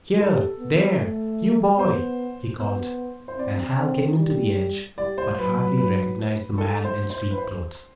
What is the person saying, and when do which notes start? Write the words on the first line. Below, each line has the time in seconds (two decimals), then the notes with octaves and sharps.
"Here, there, you boy," he called, and Hal came in to the edge, but hardly recognized the man in street clothes.
0.19 G4 A4
0.59 B3
1.00 A3
1.79 B3 C5
2.59 B3
3.28 C5
3.38 C4 D5
3.78 C4
4.19 G3
4.98 G3 D5
5.18 C5
5.38 F#3 B4
5.58 B4
5.78 B4
6.58 A4
6.85 C5
7.10 C5
7.31 B4
7.38 C5